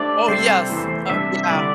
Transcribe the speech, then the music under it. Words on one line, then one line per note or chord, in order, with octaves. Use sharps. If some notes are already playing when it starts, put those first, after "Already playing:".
Oh, yes. Oh yeah.
Already playing: A3 D4 G4 C5 D5 E5
C3 G3 C4 A4 C5 E5
E2 E3 A3 E4
C3 G3 D4 E5
D3 G3 E4 D5